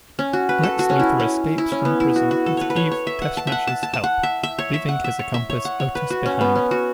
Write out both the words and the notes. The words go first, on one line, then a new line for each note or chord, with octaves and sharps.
Lex Luthor escapes from prison with Eve Teschmacher's help, leaving his accomplice Otis behind.
C#4
F#4
B4
A4
F#4
C#4
E4
C#4
E4
C#4
B3
E4
F#4
F#4
A4
B4 C#5
B4
C#5
C#5
E5
F#5
A5
E5 F#5
A5
A5
A5
F#5
E5
E5
C#5
E5
F#5
E5
C#5
E5
C#5
F#5
C#5
B4
F#4
C#4
B3
C#4
F#4